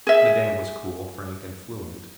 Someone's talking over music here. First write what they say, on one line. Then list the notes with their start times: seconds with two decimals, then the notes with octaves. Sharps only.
Madame was cool, frank, and fluent.
0.07 G#4 E5